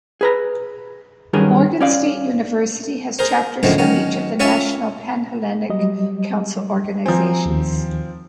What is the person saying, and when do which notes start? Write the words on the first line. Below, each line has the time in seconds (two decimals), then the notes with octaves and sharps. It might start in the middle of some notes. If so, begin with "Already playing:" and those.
Morgan State University has chapters from each of the National Pan-Hellenic Council organizations.
0.21 G#4 B4 A#5
1.33 G2 D#3 F#3 C#4 G#4 A#4
1.81 C#4 D5 F5
3.19 G#4 A#4 C5
3.63 F#2 A2 D3 F3 G#3 A3
3.78 D#3 F#3 C#4
4.40 C#4 F4 C#5 E5 G#5 A5
5.70 F#3 G3 D#5
7.06 F3 C4 G#5 A#5
7.46 D#2 D#3